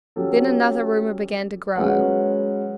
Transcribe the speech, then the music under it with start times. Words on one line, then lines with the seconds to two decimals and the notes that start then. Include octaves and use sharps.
Then another rumor began to grow.
0.16 F#3 C#4 G4 A4
1.75 F#3 G#3 C#4 B4 C#5 F#5